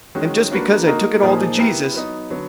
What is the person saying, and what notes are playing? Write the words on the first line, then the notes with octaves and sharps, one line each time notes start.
And just because I took it all to Jesus.
D#3 G#3 C#4 F#4
A#3 D4 F#4 B4
A#3 D#4 F#4 A#4
A#2 F3 A#3 D#4 G#4
B3 E4 G4 A#4
F#3 B3 D#4
D3 F#3 B3